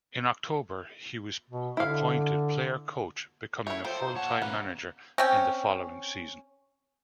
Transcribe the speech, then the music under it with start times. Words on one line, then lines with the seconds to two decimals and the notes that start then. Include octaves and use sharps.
In October he was appointed player-coach, becoming a full-time manager in the following season.
1.50 B2
1.77 D3 E4 F5
3.67 A3 E4 C#5
3.85 F3 A4 C5 G5
3.99 D#4
4.15 A#2 C#5 F#5 A5
4.42 B2 A#3 C#4 B4
5.18 C4 C#4 G5